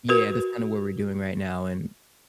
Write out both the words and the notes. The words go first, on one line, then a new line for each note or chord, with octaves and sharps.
Yeah, that's kinda what we're doing right now, and
F#4 A#4 B4